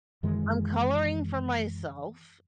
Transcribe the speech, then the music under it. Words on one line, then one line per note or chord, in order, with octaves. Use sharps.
I'm coloring for myself,
F#2 D#3 E3 G#3